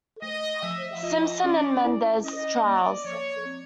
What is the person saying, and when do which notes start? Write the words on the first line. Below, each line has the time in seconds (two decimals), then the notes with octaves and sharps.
Simpson and Menendez trials.
0.22 A3 D#5
0.62 F3 E5
1.03 F4 D#5
1.43 C#4 D5
1.84 E4
2.24 C#4 D#5
2.64 A#3 D5
3.04 F3 C#5
3.45 C4